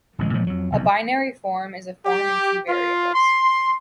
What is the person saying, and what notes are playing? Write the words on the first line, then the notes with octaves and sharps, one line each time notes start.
A binary form is a form in two variables.
D1 A1 G#3
A#2 F3 F#3 G#3
F2 F#3
F1 B1 F2
G4
F4
C6